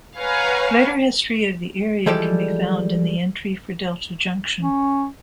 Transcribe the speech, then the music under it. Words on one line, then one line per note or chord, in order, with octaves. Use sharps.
Later history of the area can be found in the entry for Delta Junction.
B4 C#5 F5 F#5 G#5 A#5
E3 F3 G3 G#3 A4 D5
C#4